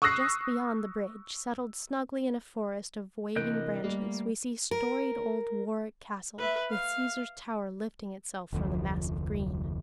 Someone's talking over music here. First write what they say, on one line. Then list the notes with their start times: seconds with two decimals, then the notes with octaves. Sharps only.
Just beyond the bridge, settled snugly in a forest of waving branches, we see storied old Warwick Castle, with Caesar's Tower lifting itself from the mass of green.
0.02 C#6 D#6 E6 F#6 A#6 C7
3.36 C3 E3 A#4 D#5 F#6 G6 D7
3.84 G3 A3 A#3
4.71 A#4
6.38 B4 E5
6.70 F5
8.52 F1 D2 F3